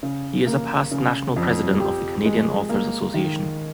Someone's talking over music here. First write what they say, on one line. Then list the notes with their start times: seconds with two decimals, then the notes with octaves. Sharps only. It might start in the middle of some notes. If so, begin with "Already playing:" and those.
He is a past National President of the Canadian Authors Association.
0.03 C#3
0.47 A#3
0.91 C#3
1.36 F2
1.81 G4
2.25 G#3
2.69 A#3
3.14 D#3